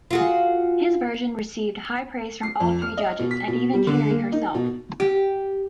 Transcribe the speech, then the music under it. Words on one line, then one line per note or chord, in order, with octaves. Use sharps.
His version received high praise from all three judges, and even Carey herself.
F4 F#4 G#4
C7
F2
F6
D#5
B2
B6
B2
G3
D3
A#3
D#4
B2
G4